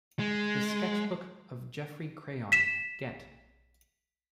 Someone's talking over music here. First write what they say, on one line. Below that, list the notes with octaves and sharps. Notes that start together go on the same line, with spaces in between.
The Sketch Book of Geoffrey Crayon, Gent.
G#3
B6 E7